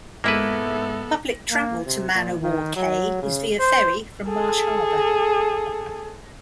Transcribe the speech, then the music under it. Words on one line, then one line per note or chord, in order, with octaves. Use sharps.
Public travel to Man-O-War Cay is via ferry from Marsh Harbour.
G#2 G#3 A#3 B3 E4 A4 B4 E5
A#3
C3
A#2
D#3
F#3
C#3
C5
G#4 A4